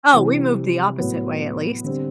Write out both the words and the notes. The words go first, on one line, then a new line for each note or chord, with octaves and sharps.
Oh, we moved the opposite way at least.
C3 E3 G3 C4
A2 F#3 B3
D3 G3 C4